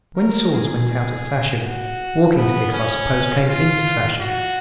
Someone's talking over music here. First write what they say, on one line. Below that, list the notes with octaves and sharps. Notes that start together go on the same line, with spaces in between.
When swords went out of fashion, walking-sticks, I suppose, came into fashion.
A#4
G#4
F#4
B3
C#4
F4
F#4